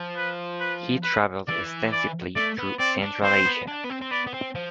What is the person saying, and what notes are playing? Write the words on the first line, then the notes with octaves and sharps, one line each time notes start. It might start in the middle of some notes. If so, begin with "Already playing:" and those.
He traveled extensively through Central Asia.
Already playing: F3
B4
B4
B4
E3 D5
D5
A3 D5
B3
C4 D5
D4
C4 C5
B3
D4
B3
C4
C4
B3 D5
B3
C4
F3